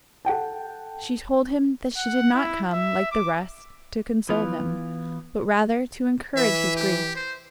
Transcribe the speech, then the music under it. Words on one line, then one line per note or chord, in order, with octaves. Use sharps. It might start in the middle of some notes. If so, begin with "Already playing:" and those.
She told him that she did not come, like the rest, to console him, but rather to encourage his grief.
A4 F#5 G5 A5
F#5
E4
E5
D6
E3 B3 F4
E3 E5
G4
C5